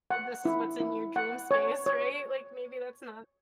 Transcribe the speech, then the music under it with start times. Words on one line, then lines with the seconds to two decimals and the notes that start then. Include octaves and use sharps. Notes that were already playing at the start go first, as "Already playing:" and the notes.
and this is what's in your dream space, right? Like, maybe that's not
0.10 F#5
0.45 E4
0.80 E4
1.16 F#5
1.51 C#5
1.86 C#5